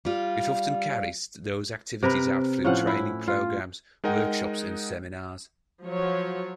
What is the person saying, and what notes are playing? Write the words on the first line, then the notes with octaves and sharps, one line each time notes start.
It often carries those activities out through training programs, workshops and seminars.
G3 F4
C3 A#4 B4
A2 F3 C#4 F#5
E4
F4
G#3 D#4 A#4 D#5 F#5 G5
F3 F#3 C#5